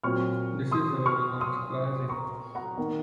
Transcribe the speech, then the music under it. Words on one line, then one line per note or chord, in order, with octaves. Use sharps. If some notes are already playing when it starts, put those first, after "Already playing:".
This is, however, not surprising.
A#2 F#3 C4 C#6 F6
C6 D#6
C#6 F6
C6 D#6
A#5 C#6
F#5 A#5
D#3 A#3